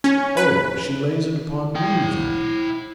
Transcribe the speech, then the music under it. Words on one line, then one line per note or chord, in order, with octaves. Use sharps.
'Oh!--She lays it upon me, then?'
C#4
B4
E4 G5